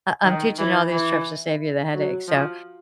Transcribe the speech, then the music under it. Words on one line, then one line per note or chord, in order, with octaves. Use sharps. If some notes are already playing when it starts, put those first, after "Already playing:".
I'm teaching you all these tricks to save you the headache. So
D#3
E3
E3
F#3
F3